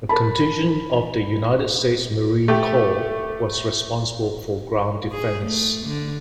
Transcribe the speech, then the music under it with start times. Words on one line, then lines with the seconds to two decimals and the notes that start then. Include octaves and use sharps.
A contingent of the United States Marine Corps was responsible for ground defense.
0.09 A#4 A5 B5
2.48 A3 G4
5.12 G#4
5.46 A3
5.86 D3